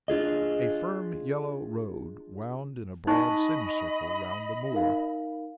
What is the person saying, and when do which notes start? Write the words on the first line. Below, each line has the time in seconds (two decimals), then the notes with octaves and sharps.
A firm yellow road wound in a broad semicircle round the moor.
0.08 D4 F4 G#4 D#5
3.07 D#4 D#5 G#5 B5 C#6 F#6
4.72 D#4 A#4 F5